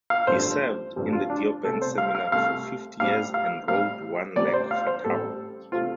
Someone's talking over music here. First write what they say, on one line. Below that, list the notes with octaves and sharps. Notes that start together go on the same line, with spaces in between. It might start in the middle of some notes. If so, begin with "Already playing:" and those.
He served in the Deoband seminary for fifty years and wrote one lakh fatawa.
F5
A1 G2 F3 A3 C4 C5
A1 G2 F3 A3 C4
F4
D4
C2 C3 A3 A4
C5
F5
F5
C2 C3 A3 F5
A2 G3 C4 F5
F5
A2 G3 C4 F5
A1 A2 G3 C4 D5
C5
F5
C5
A1 A2 G3 C4 A4
C3 A3 C4 F4